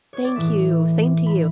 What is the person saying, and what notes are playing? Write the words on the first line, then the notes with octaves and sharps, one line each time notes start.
Thank you, same to you.
C#5
D5
A2 E3 B3 E5
B5